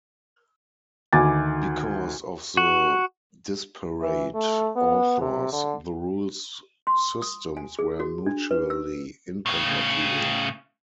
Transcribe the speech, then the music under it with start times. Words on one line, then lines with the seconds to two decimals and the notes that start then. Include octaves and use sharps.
Because of the disparate authors, the rules systems were mutually incompatible.
1.13 D2 D#3 G#5 D6 A6
2.57 F#4
4.01 E3
4.34 A3
4.76 B3
5.21 C3
5.52 D3
6.87 C6
7.22 D#6
7.57 G#5
7.79 G#4
8.00 F#4
8.26 D4
8.51 B4
8.70 E6
9.46 A2 C#3